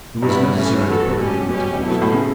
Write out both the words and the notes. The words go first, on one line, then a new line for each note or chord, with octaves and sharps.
It was necessary to put him to the test.
G2 G3 B3 E4
A2 E3 A3 C#4
E3 B3 F#4 A4
B2 G3 C#4 G4
B2 G3 C#4 G4
F#3 B3 E4 A4
B2
A2
C#3